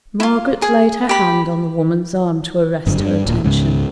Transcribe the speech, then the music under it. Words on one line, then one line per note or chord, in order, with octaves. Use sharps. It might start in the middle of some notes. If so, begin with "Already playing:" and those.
Margaret laid her hand on the woman's arm to arrest her attention.
E4 F4
G#4
G4 B5
G1 F#2 D3
G2
D1 A#2
C#2 G#2 C#3